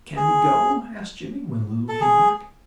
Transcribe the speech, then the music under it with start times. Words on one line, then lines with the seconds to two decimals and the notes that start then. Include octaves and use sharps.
"Can we go?" asked Jimmie, when Lulu came back.
0.16 G#4
1.89 A4
2.01 G#4